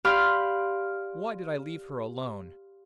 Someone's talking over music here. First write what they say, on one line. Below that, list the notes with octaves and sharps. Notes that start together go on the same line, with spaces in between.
Why did I leave her alone?
G4 D5 F5 B5 C6 F6